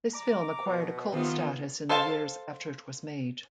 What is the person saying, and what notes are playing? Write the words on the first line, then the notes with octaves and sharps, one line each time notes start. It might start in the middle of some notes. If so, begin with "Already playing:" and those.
This film acquired a cult status in the years after it was made.
A#5 D6
B2
C3 D#3 B3 F4
A4 C5 F5 G#5 A5